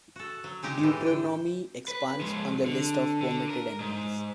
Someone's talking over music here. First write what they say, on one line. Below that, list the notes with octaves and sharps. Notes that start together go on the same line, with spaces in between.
Deuteronomy expands on the list of permitted animals.
F#4 A4
F#3
G#3 D#4 G4 A#5
A2 E3
D3 G5
B4
F3 G#3
D3
D3
A#4
G#2